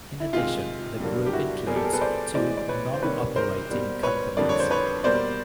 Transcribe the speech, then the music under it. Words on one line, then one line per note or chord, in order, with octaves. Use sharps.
In addition, the group includes two non-operating companies.
E4
C3 D#3 G#3 F4
G2 D3 F#3 A#3
G4
E4 F#4
B2 G3 A#3 G#4 A#4
G4 A4
G#4 A#4
A4 B4
C5 D5
A2 E3 G#3 C5 D5
D5
B4 C#5
C5
C3 D#3 G3 A#3 B4 C#5
A#4 C5
B2 G3 A#3
B4 C#5
F2 D3 G3 A#3 D5
C#5
C5
B4 C#5
B2 G3 A#3 C5 D5